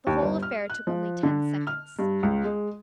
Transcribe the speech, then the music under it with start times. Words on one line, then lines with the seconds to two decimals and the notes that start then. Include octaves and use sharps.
The whole affair took only ten seconds.
0.07 D#2
0.22 G1
0.42 F6
0.70 F#6
0.87 F3
1.23 D3
1.67 F6
1.99 G2
2.23 C#2
2.44 G#3